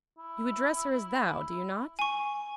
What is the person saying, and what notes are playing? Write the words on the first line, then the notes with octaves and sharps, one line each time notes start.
"You address her as thou, do you not?"
E4
G#5 C#6